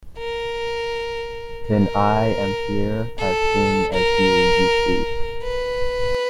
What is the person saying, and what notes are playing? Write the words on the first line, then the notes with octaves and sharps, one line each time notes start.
Then I am here as soon as you, you see.
A#4
A#4
A4
A#4
B4